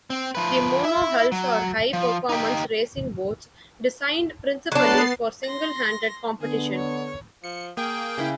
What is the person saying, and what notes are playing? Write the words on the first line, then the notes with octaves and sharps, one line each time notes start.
The monohulls are high-performance racing boats, designed principally for single-handed competition.
C4
F3 B4
E4 E5
F#3
F3
D#4 G4
F#3 B3 D4 A6 C7
C6 A#6
D3 B3 G#4
C#5
F3 C#7
A#3 G#4 G5
C#3 C#4 E4